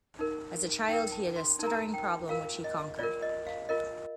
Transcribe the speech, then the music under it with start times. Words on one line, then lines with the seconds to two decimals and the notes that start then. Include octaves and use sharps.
As a child he had a stuttering problem which he conquered.
0.19 D#4 A#4
0.88 D#4 G5
0.93 A#4
1.12 A5
1.36 C6
1.59 D#4 A5
1.63 A#4 A#5
1.73 A5
1.94 G5
2.29 F4 A#4 F5
2.64 D#5
2.99 F4 A#4 D5
3.22 D#5
3.47 F5
3.69 F4 A#4 D#5